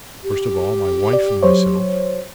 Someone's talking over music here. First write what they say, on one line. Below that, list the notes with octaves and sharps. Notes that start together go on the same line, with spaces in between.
First of all my wife and myself.
G4
D5
F#3 C5 C#5